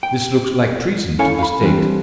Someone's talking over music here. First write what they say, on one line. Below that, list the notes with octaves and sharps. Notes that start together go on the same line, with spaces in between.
This looks like treason to the state.
G5
C#4 E4 A4 C#5 F5 G#5
F5 B5
E3 G3 G#3 C4 D4